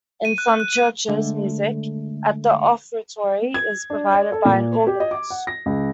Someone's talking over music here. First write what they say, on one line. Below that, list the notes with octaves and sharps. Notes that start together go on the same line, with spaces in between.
In some churches music at the offertory is provided by an organist.
D#7
F#6
F#6
D#7
D3 G#3 A3
G#6
D4
D5
A4
A#2
G4
D#5
D6
F#5
A#6
C#2